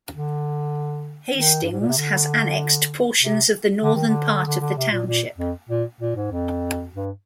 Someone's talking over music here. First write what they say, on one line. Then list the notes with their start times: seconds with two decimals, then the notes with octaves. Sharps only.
Hastings has annexed portions of the northern part of the township.
0.12 D3
1.35 D#3
1.63 G2
1.71 G#2
1.80 A#2
1.89 C3
1.97 D3
3.21 C3
3.83 D3
3.95 D#3
4.07 D3
4.46 D3
4.60 D3
4.77 C3
4.91 A#2
5.07 A#2
5.38 F2
5.69 A#2
6.01 A#2
6.16 G#2
6.31 F2
6.94 G2